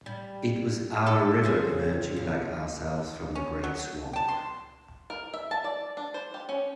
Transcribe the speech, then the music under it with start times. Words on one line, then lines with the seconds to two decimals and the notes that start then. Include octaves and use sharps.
It was our river emerging like ourselves from the great swamp.
0.06 G3
1.06 G#2 A4
1.44 C#3 C4 G#4
2.16 C#3
3.35 C#4
3.64 F#3
4.13 G5 A5
4.28 C6
5.10 A#4
5.34 E5
5.51 A5
5.64 D5
5.97 D4
6.14 C5
6.34 G4
6.49 C#4